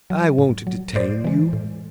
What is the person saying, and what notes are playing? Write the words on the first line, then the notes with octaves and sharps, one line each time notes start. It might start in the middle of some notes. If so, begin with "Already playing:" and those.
I won't detain you.'
F#3
A2
F#3
A2 C5 D5
E3 G#3
A2